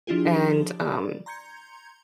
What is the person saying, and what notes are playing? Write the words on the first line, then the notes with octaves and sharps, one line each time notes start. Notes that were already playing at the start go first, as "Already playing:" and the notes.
and, um,
F3 D4 E4 F4 G4 G#4
D5
A#5 C6 G6 G#6 C#7